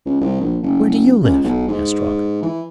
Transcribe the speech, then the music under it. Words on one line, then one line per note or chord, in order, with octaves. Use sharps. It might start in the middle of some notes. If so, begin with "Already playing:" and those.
"Where do you live?" asked Robin.
C#2
C2
A#1
F#1
F#1
C#2
B1
G#2
E3